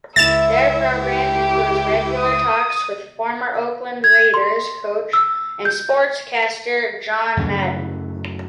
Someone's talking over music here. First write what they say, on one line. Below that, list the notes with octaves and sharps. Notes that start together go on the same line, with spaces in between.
Their program includes regular talks with former Oakland Raiders coach and sportscaster John Madden.
C#2 E4 E5 A6 E7
G4
D#6
G#6
C6
E6
G6
F#2 C#3 F#3 A3